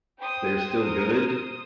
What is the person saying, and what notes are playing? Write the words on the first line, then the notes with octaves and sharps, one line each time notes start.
they're still good
C5 G5 D#6
A#4